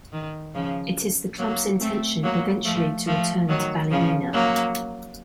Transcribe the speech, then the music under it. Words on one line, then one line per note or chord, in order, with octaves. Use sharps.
It is the club's intention eventually to return to Ballymena.
D#3
C#3 F3
F#3 A#3
A3 C4
F#3 A#3
F3 A3
F3 A3
D#3 F#3
C#3 F3
F#3 A#3